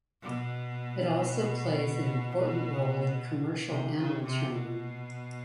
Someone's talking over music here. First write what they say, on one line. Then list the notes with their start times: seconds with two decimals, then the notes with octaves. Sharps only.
It also plays an important role in commercial animal training.
0.22 B2
3.67 C3
3.96 C#3
4.24 C3
4.53 B2